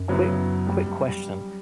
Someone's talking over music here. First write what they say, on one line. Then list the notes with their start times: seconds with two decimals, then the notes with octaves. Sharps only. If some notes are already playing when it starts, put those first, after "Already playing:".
quick quick question.
Already playing: F#2
0.09 C#3 F#3 B3 E4
0.67 G3